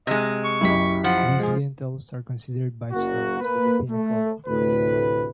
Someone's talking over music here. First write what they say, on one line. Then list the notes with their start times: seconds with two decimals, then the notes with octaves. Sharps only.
These lintels are considered by some to be the pinnacle of Mayan Art.
0.07 C3 G#3 D#5
0.44 C#6
0.61 F#1 B1 F#2 E4 G4 B6
1.04 F3 F#5
1.40 G#3 G#4
2.92 F#1 A#3 F#4
3.40 A#3 B4
3.89 A3
4.47 D2 A2 C3 B4